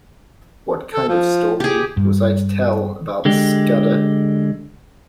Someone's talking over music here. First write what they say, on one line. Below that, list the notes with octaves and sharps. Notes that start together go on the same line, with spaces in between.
What kind of a story was I to tell about Scudder?
A4
F3
G4 G#4
G2
D3 G#3 G4